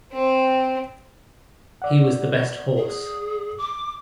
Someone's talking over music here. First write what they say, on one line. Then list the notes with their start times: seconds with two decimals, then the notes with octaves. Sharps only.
He was the best horse.
0.12 C4
1.82 D5 F#5
2.77 G#4
3.58 D6